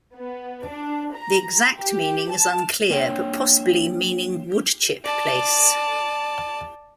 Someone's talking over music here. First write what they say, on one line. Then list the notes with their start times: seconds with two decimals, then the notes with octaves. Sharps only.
The exact meaning is unclear, but possibly meaning 'wood-chip place'.
0.15 B3
0.67 D4
1.15 A#5
1.74 G4
2.31 A5
2.90 A#3 D4 C#5 G5
5.02 D5 A5